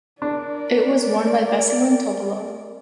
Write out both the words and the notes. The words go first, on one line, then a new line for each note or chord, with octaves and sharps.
It was won by Veselin Topalov.
D4 A#4 D5